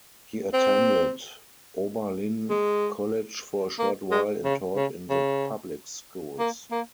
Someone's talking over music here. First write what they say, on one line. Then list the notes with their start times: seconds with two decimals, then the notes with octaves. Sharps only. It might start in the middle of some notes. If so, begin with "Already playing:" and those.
He attended Oberlin College for a short while and taught in the public schools.
0.53 C4
2.50 G#3
3.79 A#3
4.11 G#3
4.45 C#3
4.76 C#3
5.10 C#3
6.39 A#3
6.71 A#3